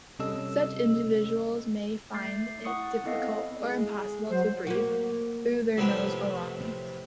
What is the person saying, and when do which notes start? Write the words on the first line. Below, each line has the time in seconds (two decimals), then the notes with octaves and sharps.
Such individuals may find it difficult or impossible to breathe through their nose alone.
0.19 C3 G3 C#4 A4 D#5 E6
2.14 A3 G6 A6 C7
2.65 E4 F#5 C#6 D#6 C#7
3.04 B3 C4 E4 A4 D#5 F5
3.60 G#3
4.29 F#3 C5
4.67 A#3 F#4
5.77 F2 A2 C3 F#3 B3 G5